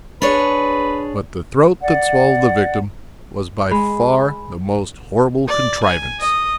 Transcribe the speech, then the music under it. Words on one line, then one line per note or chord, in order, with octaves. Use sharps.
But the throat that swallowed the victim was by far the most horrible contrivance.
D4 G#4 B4 C#5
D5 F#5
G#3 B5
D5
G#5
D#5